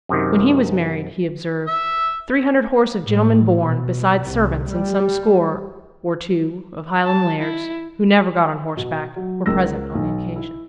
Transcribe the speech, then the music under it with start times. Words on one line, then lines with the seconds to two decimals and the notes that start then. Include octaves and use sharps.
'When he was married,' he observed,'three hundred horse of gentlemen born, besides servants, and some score or two of Highland lairds, who never got on horseback, were present on the occasion.'
0.09 F#2 C3 D#3
1.67 E5
3.04 A2
3.63 B2
4.20 C2
4.68 G3
7.04 A5
7.39 E4
8.77 B2
9.16 F#3
9.46 C#2 A#4 E6 A#6
9.95 B1
10.36 E4